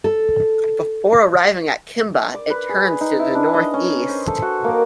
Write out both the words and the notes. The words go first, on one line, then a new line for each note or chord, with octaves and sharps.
Before arriving at Kimba, it turns to the north-east.
A4
D5
B4
G#4
D#4
E4
D4
D#5
C#4
C5
A4
F#4
A#3